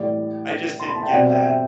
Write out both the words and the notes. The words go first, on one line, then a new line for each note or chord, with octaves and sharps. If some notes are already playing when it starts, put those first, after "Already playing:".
I just didn't get that,
Already playing: A2 E3 G3 D5
C6
B5
A5
G5
B2 G3 C4 D5 F#5
E5 G5
E5 G5